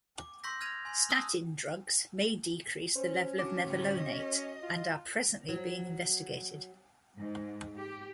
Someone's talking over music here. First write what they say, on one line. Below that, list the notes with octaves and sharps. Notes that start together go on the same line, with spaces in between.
Statin drugs might decrease the level of mevalonate and are presently being investigated.
D6
C6 C#6 E6 G6 A#6 B6
F6 G#6 A#6 D#7 F7
G#5 C6 G#6
A5 D#6 E6 F#6 F#7
C#4 C5
D4 F#4 D6
D2 A2
D#5
F4
F#3
G#2
G4